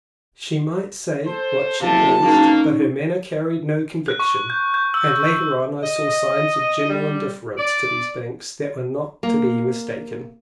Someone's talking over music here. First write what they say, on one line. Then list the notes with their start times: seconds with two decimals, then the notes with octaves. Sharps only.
She might say what she pleased, but her manner carried no conviction, and later on I saw signs of general indifference to these banks that were not to be mistaken.
1.25 A4 C5
1.81 F#1 C3 E4 F5 A5
2.22 F2 A#3 C#4 D#4
4.08 F#6
4.20 C#6
4.50 G6
4.74 G6
4.94 E6
5.20 C#6
5.83 D#5
6.89 G3
7.58 D5
9.23 A#3